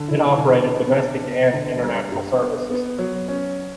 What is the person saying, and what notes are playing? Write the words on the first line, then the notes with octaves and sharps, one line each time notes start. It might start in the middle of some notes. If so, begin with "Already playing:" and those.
It operated domestic and international services.
Already playing: D3
E4
D3
B3
D4
B3
D3
G3
G2
B3
B3
F#3
C#4